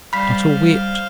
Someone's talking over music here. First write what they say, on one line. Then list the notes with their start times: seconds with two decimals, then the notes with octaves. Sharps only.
"Not a whit."
0.13 G3 C5 F5 B5 B6